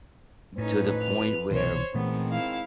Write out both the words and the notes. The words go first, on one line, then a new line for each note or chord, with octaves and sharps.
to the point where
F2 A2 C#4 D#4 B4
F7
C2 B2 E3 C5 C#5
A#2 D#3 E3 G#3 A3 B3 C4
E4 F5